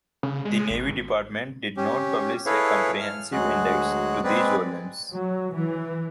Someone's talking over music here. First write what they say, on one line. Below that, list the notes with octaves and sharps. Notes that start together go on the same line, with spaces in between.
The Navy Department did not publish a comprehensive index to these volumes.
C#3
G#3
G#1
C#4 G4
E4 G#4 A4 B4 C#5 F5
F6
D2 F#3 G#3 F#4 G#4 F#6
G#3 C4 G#4 B4 D5
F#3
E3